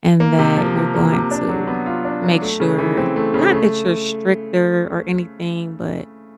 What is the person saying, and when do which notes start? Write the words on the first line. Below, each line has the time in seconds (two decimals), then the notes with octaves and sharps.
and that you're going to make sure not that you're stricter or anything, but
0.20 A#3
0.39 C3
0.57 F3
0.76 C3
0.94 A#3
1.12 C3
1.31 D4
1.49 F#3
1.67 B3
1.86 F4
2.05 D4
2.23 F#3
2.42 A3
2.60 C#3
2.78 E3
2.97 C4
3.16 A3
3.34 C#3
3.52 A3